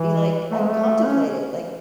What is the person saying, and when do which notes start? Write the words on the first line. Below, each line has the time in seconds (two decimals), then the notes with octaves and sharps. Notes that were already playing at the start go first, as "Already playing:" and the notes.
be like I would contemplate it, like,
Already playing: E3
0.51 A3
0.60 G#3
0.69 A3
1.06 C#4